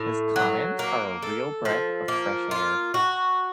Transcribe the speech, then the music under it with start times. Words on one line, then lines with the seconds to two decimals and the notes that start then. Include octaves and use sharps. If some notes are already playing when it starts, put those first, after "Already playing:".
His comments are a real breath of fresh air.
Already playing: A2
0.36 F#3
0.79 A#3
1.22 A4
1.65 F3
2.08 A#3
2.51 F4
2.94 F#4